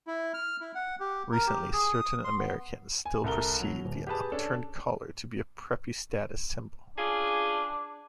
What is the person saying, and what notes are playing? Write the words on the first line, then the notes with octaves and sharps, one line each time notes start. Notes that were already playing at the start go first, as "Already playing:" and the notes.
Recently, certain Americans still perceive the upturned collar to be a "preppy" status symbol.
E4
F6
E4
F#5
G4
A#4
G4
G#4
D#6
C6
B3
G#5
C2 A4 A#4 G7
F#3 F7
D1
G4 G#4 B4 A5
C#4 D4 A4
C#4 D4 F4 G#4